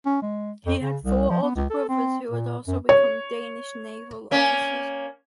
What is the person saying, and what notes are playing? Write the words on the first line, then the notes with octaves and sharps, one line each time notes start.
He had four older brothers who would also become Danish naval officers.
C#4
G#3
F2
C#3
C2
F3
B3
C#2
A4
C4
A#2
F#2
C#5
A#3 C#4